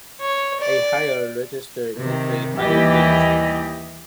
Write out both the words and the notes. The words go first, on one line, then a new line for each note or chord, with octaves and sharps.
A higher register indicates higher pitch.
C#5
D5
C3 D#3
D#2 E3 G3 G4 D#5